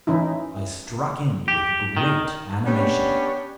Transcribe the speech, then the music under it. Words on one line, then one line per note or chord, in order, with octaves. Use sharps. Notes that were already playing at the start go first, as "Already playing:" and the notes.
I struck in with great animation.
E3 C#4 D#4 E4
G4
D#3
B3 C#4 D4 G4